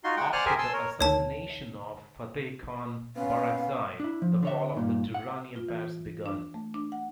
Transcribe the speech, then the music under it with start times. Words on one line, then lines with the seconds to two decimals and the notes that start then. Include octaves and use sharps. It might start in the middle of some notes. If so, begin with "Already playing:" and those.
After the assassination of Fateh Khan Barakzai the fall of the Durrani Empires begun.
0.04 D#4 F4 F#4 C6
0.17 G#3 F#5 G5
0.33 C5 D5 F#5 G#5 F6 F#6
0.46 G4 G#4 A#4 C5 E5 G#5
0.58 G#5 A5 C6 E6
0.73 A#4 C#5
1.01 D2 D#3 C#5 A5
3.16 B3 C#4 F5
4.00 D4 E4
4.22 F3
4.43 D3 C#5 E5
4.75 G2 A#2 D#3
5.14 F#5
5.56 F4
5.69 E3
6.26 D4
6.54 A3
6.74 D4
6.92 F#5